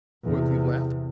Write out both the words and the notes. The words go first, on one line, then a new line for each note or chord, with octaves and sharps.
Will he laugh?
E2 C3